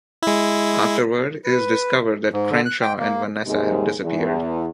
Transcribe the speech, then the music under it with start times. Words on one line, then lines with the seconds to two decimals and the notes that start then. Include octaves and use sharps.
Afterward, it is discovered that Crenshaw and Vanessa have disappeared.
0.23 G#3 E4
1.45 B4
2.33 G#2
2.50 D3
2.65 F#6
2.82 G5
2.99 A#3
3.46 D#2 G#2 C3 G#4
4.02 E2